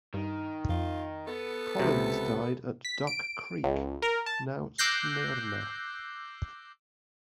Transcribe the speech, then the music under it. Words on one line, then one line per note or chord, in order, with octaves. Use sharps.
Collins died at Duck Creek, now Smyrna.
G2 D#3
F2 F4
B3 A4
C#2 C3 F#4
B6
D7
C#2
A#4
A5
D6 E6 F#6 G6 A#6 C7